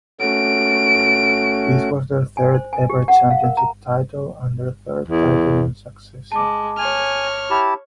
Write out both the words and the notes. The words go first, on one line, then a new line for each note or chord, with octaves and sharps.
This was their third ever championship title and their third title in succession.
A3 C#4 F#4 D7
G#5
C5
G#5
G4
F#5
F5
A#4
A#5
E2
G#3 A5 D6
C#5 G#5 F6
E4 G4 A5